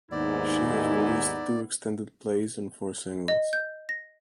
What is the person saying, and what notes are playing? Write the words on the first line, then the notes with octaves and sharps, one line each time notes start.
She has released two extended plays and four singles.
D#2 G#2 B3 D#4 E4 D5
D#5
G6
A#6